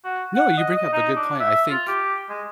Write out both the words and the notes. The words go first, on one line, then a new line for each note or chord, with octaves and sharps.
No, you bring up a good point, I think
F#4
F#5
D#5
D#5
D#4
D4
E5
F4
G4
G#3